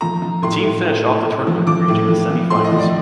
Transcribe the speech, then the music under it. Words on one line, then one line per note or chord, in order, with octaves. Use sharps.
The team finished off the tournament reaching the Semi-Finals.
F3 A#5
F3
A2 C6
A2
A2
A2
A2
F3
F3 D6
A2
F3
F3
A2 C6
D#5
F3
D5